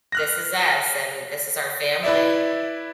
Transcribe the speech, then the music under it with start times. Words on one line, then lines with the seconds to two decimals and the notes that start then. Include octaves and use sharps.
this is us, and this is our family.
0.12 F6 F#6 A#6
2.03 E4 B4 D5 E5